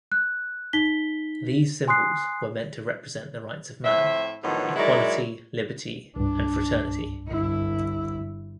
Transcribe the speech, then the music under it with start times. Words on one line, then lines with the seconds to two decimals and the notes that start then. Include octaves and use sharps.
These symbols were meant to represent the rights of man: Equality, Liberty and Fraternity.
0.12 F#6
0.73 D#4 B6 G7
1.88 G#5 C6 D#6 F#6 C7
3.85 A2 F3 C4 E5
4.44 A2 D3 D#3 F3 F#3 B3
4.76 F#3 G#3 D#4 E4 A#4 D5
6.16 C2 G2 D4
7.28 G1 E4